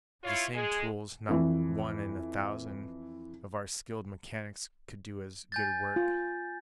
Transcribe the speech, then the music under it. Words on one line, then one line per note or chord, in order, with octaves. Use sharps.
With the same tools not one in a thousand of our skilled mechanics could do as good work.
E4 F4 C#5
G#3 G#4
F2 E3
G#5 G6 A6
F4